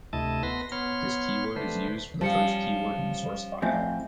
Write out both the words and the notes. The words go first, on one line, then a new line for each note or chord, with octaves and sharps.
This keyword is usually the first keyword in the source file.
D2 C3 A3 E4 D#5 A5
B3 B4 C6 A#6
B3 C#5 C6 F6
D3 A3 B4 C5
F3 G3 C#4 A5 C#7
F2 A2 C4 E5 F5 G#5